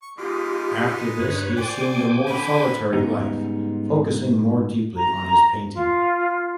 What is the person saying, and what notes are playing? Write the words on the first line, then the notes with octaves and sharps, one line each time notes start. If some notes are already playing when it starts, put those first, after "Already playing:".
After this, he assumed a more solitary life, focusing more deeply on his painting.
C#6
G#3 B3 D#4 F4 G4
G2 B4 C#5
C5 D5 G5 G#5 D6
D3 B3 B5
G#2 C#3 G3 G#3 B3 D#4
A#5
F4